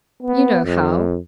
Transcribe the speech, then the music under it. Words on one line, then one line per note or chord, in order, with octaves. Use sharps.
You know how!'
B3
F2